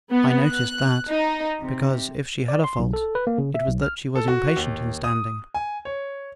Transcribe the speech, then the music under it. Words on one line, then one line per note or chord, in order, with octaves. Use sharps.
I noticed that, because, if she had a fault, it was that she was impatient in standing.
B3
F#6
D#4
C3
D5
C6
B1
A4
B4
A#3
C#3
E5
B1
F6
A4
F#4
D#2
D#6
G#5
C#5